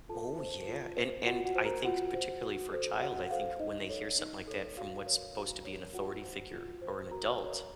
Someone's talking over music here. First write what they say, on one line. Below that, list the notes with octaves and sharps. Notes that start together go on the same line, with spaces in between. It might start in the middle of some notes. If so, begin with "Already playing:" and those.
Oh, yeah, and and I think particularly for a child, I think when they hear something like that from what's supposed to be an authority figure or an adult,
F4 A4 A5
C5
F4
C5
F4 F#4 F#5
F#4 F#5
C5
A#4 A#5
F4 F#4 F#5
C5
F#4
A4 C5
F#4 F#5
F#5
A4 C5 F5
D#4 D#5
A4 C#5
D#4
A4 C#5
F#4 F5
A#4 C#5
F#4
A#4 C#5
F4 F#4 F#5
C5
F4
C5
F#4 A#4 A#5
A#4 C#5